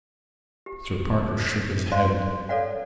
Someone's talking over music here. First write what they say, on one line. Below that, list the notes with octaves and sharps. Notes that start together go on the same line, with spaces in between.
Mr. Parker shook his head.
G4
C5 D5 F5 C6
A4 C#5 D5 F5 F#5